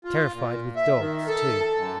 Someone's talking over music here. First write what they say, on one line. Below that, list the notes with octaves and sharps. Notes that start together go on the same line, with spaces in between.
Terrified with dogs too!
F4
A#2
E5
D#3
A4
F#2